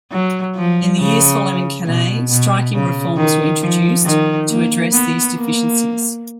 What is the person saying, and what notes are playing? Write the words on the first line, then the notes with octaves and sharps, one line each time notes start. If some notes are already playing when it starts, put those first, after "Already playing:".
In the years following Cannae, striking reforms were introduced to address these deficiencies.
F#3
F3
C#3
B2
B2
C#3
D#3
F3
D#3
A#3
B3
A#3